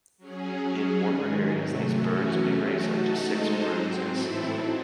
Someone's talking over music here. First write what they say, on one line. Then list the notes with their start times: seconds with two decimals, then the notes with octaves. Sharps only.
In warmer areas, these birds may raise up to six broods in a season.
0.17 F#3 C#4 G#4
0.61 F#3 C#4 G#4
1.04 G#2 D#3 G#3
1.48 C3 F#3 A3
1.90 F#2 E3 A3 C#4 F#4
2.34 E2 C3 F#3 A3 C#4
2.78 A3 D#4 F#4 A4
3.21 G#3 D#4 A4 C5 D#5
3.64 G#2 F#3 C4
4.07 A2 E3 C4 E4 A4
4.50 F#3 C4 D#4